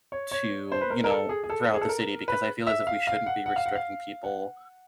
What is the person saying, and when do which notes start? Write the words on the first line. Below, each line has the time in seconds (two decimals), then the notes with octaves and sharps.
to, you know throughout the city, because I feel as if we shouldn't be restricting people
0.12 C#5
0.31 C#5
0.72 C5
0.81 B4
0.90 A#4
1.04 A#4
1.10 A4
1.29 G#4
1.44 G#4
1.50 A4
1.74 G#4
1.81 A4
1.89 A#4
2.28 B4
2.67 E5
2.87 F5
3.07 F5
3.26 F#5
3.46 F#5
3.56 F5
3.66 F#5
3.75 F5
4.24 F#5